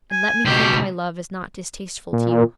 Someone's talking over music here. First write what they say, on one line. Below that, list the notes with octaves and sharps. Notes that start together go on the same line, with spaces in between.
And let me think my love is not distasteful to you.
G#5
C#2 B2 G4
A#2